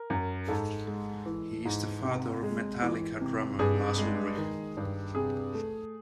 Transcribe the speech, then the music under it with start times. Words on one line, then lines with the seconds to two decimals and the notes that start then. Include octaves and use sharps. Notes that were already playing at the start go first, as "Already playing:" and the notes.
He is the father of Metallica drummer Lars Ulrich.
Already playing: A#4
0.10 F#2
0.48 G#2 A4
0.87 G#3
1.26 E3
1.65 G#2
2.04 C3
2.43 G#3
2.82 E3
3.21 C3
3.59 G2 G#4
3.98 G#3
4.37 D#3
4.77 G2
5.15 C3 G#4
5.54 A3